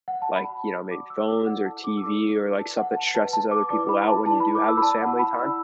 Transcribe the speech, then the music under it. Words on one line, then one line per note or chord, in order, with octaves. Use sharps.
like, you know, maybe phones or TV or, like, stuff that stresses other people out when you do have this family time?
F#5
A5
F#4 D5 B5
F#4 D5 D6
E6
D6
E4 A4 D5 F#5
A5
D6
E6
E4 A4 D5 D6
F#4 B4 D5 A5
F#5
A5
F#4 B4 D5 A5
A5
D6
E4 B4 D5 D6
B5
A5
E4 B4 D5 A5
B5
D6
E6
B5
E4 D5 A5
F#5
B5
E4 D5 E6